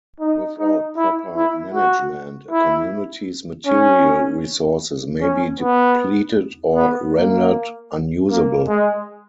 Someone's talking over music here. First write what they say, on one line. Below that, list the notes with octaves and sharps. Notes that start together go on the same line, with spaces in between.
Without proper management, a community's material resources may be depleted or rendered unusable.
D#4
D#4
E4
E4
F#4
E4
C#4
C#4
B3
B3
A#3
A#3
G#3